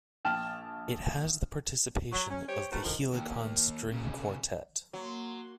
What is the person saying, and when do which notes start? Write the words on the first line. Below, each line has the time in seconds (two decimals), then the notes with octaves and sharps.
It has the participation of the Helicon String Quartet.
0.25 A#1 G5 A5 F6 E7
2.12 F#3
2.30 C#4
2.48 G3 G4 C5 C#5
2.71 D#3 A3 B3 F#4 G4 C5
2.84 D3 D#3 F3
3.12 D#2
3.92 B1 C#3
4.93 F#3 A#3 C6